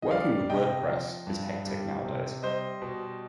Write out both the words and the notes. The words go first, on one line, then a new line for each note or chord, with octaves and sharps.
Working with Wordpress is hectic now-a-days.
D#5
G3 D5 F5
C3 D#5 G5
F3
G2
G3
C3
G3 C5 D#5
B2